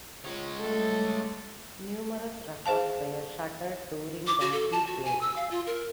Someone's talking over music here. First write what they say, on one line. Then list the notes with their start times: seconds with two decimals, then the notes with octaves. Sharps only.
Numerous records were shattered during the heatwave.
0.25 G#3 F4 C#5
0.60 G3 A3 A4 A5
2.66 G#4 C5 F5 A5
4.27 D6
4.41 F#4
4.52 A4
4.72 A5
4.87 F#4
5.05 G#5
5.21 E6
5.36 F5
5.51 F4
5.66 A#4